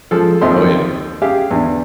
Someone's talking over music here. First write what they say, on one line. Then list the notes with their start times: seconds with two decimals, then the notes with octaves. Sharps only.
Oh, yeah.
0.11 F3 G#3 A4
0.41 D#2 F3 C4 D#5 E5 C6
1.22 G4 G#4 E5 F5
1.51 E2 D3